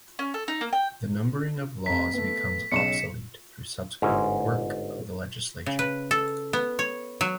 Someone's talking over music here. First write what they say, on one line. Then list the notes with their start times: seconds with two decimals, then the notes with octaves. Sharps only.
The numbering of laws becomes obsolete through subsequent work of the legislature.
0.19 C#4
0.34 A4
0.48 D#4
0.61 A#3
0.73 G5
1.86 F1 A#5 B6
2.14 A3 B3
2.72 B1 C#3 C#7 E7
4.02 G1 G#2 C#4 E4 G#4 A#5
5.66 C#3
5.79 B4
6.11 A4
6.53 B3
6.79 C#5
7.21 F#3